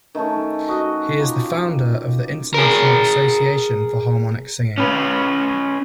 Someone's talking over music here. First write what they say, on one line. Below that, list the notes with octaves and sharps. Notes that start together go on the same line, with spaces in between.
He is the founder of the International Association for Harmonic singing.
D#3 A3 C#4 A4
F#4 D#5
F4 G4 A#4
G#4 A#4
C#4 B4